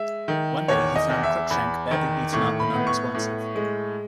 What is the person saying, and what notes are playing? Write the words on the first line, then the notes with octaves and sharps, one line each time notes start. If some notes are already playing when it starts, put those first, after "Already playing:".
One day he found Crookshank badly beaten up and unresponsive.
Already playing: G#3 E5
D#3
E2 C#5
D#5
E2
E5
E2 B5
D#3
A2 C#6
B5
B3
C#6
A2
G#3